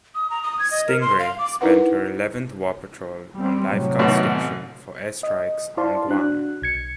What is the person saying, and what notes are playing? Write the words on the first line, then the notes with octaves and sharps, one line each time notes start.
"Stingray" spent her eleventh war patrol on lifeguard station for air strikes on Guam.
D#6
A#5
D#6
G#6
D#5
A#4
C6
F5
D6
D#4 E4 A#4 B4 F#5
G3 C4
A2 C3 F#3
G#1 B2 A3
D#5
E4 C5 D5 F5 A5 C6
D4 F#4 F#6
B1 G#6 C#7